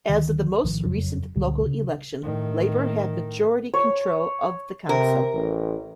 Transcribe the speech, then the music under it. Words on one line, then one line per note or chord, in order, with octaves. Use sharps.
As of the most recent local election, Labour had majority control of the council.
D2 D#3
A#1 A2 D#3 F3
F#1 F2 C#3 F#3
C#2 A#2 D3 G3
C#3
A2 D#3
C#5
C3 A#4
A1